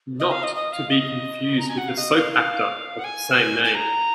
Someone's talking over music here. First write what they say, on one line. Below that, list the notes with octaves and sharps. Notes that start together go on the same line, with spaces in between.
Not to be confused with the soap actor of the same name.
D#5
F5
D#5
D#5
F5
D#5
A#5
G#5
F#5
F5
D#5
F5
F5
F#5
G#5
G#5
A#5